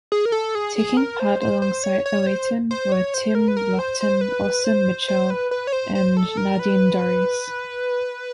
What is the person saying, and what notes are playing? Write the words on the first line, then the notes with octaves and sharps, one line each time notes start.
Taking part alongside Oaten were Tim Loughton, Austin Mitchell and Nadine Dorries.
G#4
A#4
A4
G#4
G#4
A#4
C5
C5
C5
C#5
C#5
C5
C5
C#5
C5
A#4
B4
A#4
C5
C5
B4
C5
C5
B4
B4
C#5
C5
C5
A4
A#4
B4